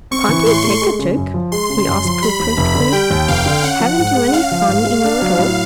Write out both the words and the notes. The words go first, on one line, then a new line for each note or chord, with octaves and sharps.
"Can't you take a joke?" he asked, reproachfully; "haven't you any fun in you at all?"
C4 C#6
E3
A2 C6
A3
G#3
C#3
F#2
F3
G#3 C6
C#3
F#2
F3
G3 B5
D#2
F1
D3
G3 G5
D#2
F1 F5
D3
C#4 F#5
F3
G#2 F#5
G#3
C#4 F5
F3
G#2
G#3
D4 F5
F#3
A2